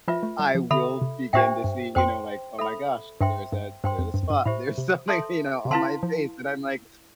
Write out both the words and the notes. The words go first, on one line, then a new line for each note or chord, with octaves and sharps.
I will begin to see, you know, like, "Oh my gosh, there's a there's a spot, there's something," you know, "on my face," and I'm like,
F3 F4 B4 E5
A3
G3
F3
D3 A4 E5 B5
C3
A2 D4 G4 C5 E5 G5
G2
F2 C5 G5 C6
A4 E5 B5
G2 C5 E5 G5 C6
G2
G2 C5 G5 C6
F2
G2
F2
G2
A2 G4 C5 E5 B5
C3
A4 E5 A5 C6
C3
D3 E4 B4 F5 A5 C6
F3